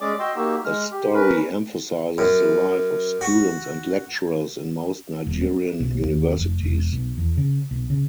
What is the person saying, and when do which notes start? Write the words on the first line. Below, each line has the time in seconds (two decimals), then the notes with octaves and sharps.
The story emphasises the life of students and lecturers in most Nigerian universities.
0.01 G#3 C#4 G#4 D5 D6
0.20 F#4 D#5 G5 C6 E6
0.36 A#3 D#4 F#4 G4 E6
0.65 G#3 F6
0.91 G4
1.14 C#4 A#4 B4 B5
2.18 F#2
3.21 F#4
5.27 D#1
5.41 C4
5.80 B1
6.04 D#2
6.37 F1
6.63 E1
6.93 B1
7.18 E2
7.37 C#3
7.71 B1
7.90 C#3